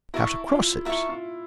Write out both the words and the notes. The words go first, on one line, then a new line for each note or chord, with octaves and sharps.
How to cross it?
E4 A#4 E5 A5 C#6
F4
E4 A#4 E5 A5 C#6
F4